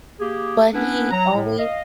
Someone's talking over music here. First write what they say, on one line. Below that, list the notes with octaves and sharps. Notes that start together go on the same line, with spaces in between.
But he always
A#3 G4 G#4
B3 C#4 D4 E4 B4
F#3 A#5
A2
D#5 F5